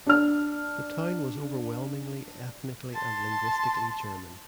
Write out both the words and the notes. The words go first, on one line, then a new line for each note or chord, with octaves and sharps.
The town was overwhelmingly ethnically and linguistically German.
D4 F6
A5 C6